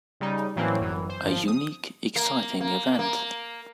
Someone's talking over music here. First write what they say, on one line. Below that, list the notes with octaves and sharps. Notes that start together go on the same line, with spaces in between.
A unique, exciting event.
C#3 G3 D#4
A2 E3 F#3 A#3 C4 C#4
G1 F#2 E3
C5
G#1 F3
D#6
A#3
A#3
A#3